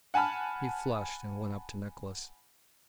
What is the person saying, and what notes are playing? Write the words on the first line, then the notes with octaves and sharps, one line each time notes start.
He flushed and went up to Nicholas.
F#5 G#5 A5 B5 F6